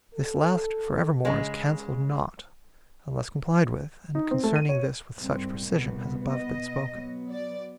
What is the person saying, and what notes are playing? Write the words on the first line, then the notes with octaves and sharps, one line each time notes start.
This last for evermore is cancelled not Unless complied with, and concerning this With such precision has above been spoken.
A4
C#3 G#3
D#4
C4
A3
D#7
C#5
C2 G#2 C4
B2 B3
D#5
F#3 B3
D5